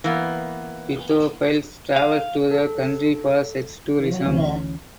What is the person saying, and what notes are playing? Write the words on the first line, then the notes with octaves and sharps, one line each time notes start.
Pedophiles travel to the country for sex tourism.
E3 A#3 B3
F5
A4
D2 E3 C#4